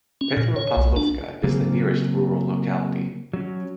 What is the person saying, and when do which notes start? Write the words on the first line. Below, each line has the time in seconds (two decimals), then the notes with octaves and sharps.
Petropavlovka is the nearest rural locality.
0.21 C#4
0.37 A#2
0.56 C#5
0.77 B1
0.96 D4
1.44 C#3 F#3 A#3 C4
3.33 F#3 C#4